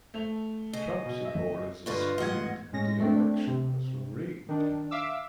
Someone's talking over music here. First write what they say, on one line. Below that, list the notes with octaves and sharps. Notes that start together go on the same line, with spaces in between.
Trump supporters are screaming that the election was rigged.
A3 F7
C#3 D#5
B2
E5
G2 D3 F4 B4 D#5 C#6
A1 G#2 D#5 F#5 G#6
A2 G#3 C#4 A#6
A3 C4 D4
C3
D#3 D4
E5 F5 D6 E6